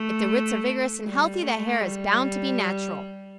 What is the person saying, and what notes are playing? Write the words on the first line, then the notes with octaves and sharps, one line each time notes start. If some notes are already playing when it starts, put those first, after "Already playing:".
If the roots are vigorous and healthy, the hair is bound to be natural.
Already playing: A3
G3
A3
G3